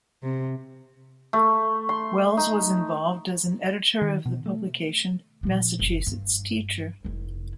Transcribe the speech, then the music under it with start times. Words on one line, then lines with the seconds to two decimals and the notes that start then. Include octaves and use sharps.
Wells was involved as an editor of the publication "Massachusetts Teacher".
0.23 C3
1.33 A3
1.89 C6
2.37 D#4
4.02 D#3
4.25 B2
4.46 A3
5.43 A#2 F3
5.79 F#1
6.07 G2
7.05 F1 E4